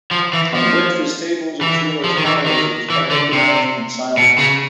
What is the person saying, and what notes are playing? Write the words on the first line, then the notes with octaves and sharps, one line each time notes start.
On the breakfast-tables of cheerless parlours it was partaken of in silence.
F3
E3
F3
E3
F3
D#3
E3
D#3
E3
D3
C3
B2
C#3